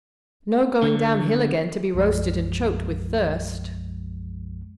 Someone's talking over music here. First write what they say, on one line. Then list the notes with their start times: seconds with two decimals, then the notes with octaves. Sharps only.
"No going down-hill again to be roasted and choked with thirst."
0.82 D3
1.94 B1 F#2 F3 G#3